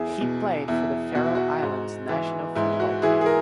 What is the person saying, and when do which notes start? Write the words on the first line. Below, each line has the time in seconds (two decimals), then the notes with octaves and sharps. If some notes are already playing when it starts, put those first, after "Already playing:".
He played for the Faroe Islands national football team.
Already playing: E2 E4 G#4
0.21 B2
0.68 E2 E4
1.15 B2 F#4
1.26 E4
1.35 F#4
1.63 G#2
2.09 E3
2.55 G#2 E4
2.72 E4
2.80 F#4
3.02 E3 E4 G#4
3.21 G#4
3.26 A#4